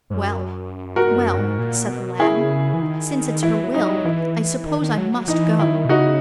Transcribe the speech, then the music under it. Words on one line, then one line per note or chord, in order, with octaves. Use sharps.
"Well, well," said the lad, "since it's her will, I suppose I must go."
G#2
F#2
G#2 F#4 A#4
F#2
G#2
A#2
B2
C#3 E4 G#4
E3
D#3
E3 E4
F#3
D#4
F#3
E3 E4
D#3
D#3
F#3
F#3
E3 D#4
D#3 E4
B2
C#3 D#4 F#4